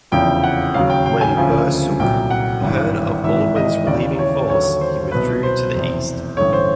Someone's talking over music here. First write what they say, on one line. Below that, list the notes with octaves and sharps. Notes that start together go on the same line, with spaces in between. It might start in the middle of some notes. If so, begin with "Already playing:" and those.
When Bursuq heard of Baldwin's relieving force, he withdrew to the east.
F1 E2 C#3 F3 G5
F#5
D#2 C#3 F#3 F5
G5
G5
G#5
D2 C#3 F3
C2 A#2 F#3 G5
F#5
G#1 G2 E3
G#1 G#2 E3 E5
D#5
D#2 C#3 E3 D5
C#5
D#2 D3 F#3 C#5
C5
C2 B2 F#3 B4
C5
F1 E2 C3 C5
A1 G2 D3 C#5
C5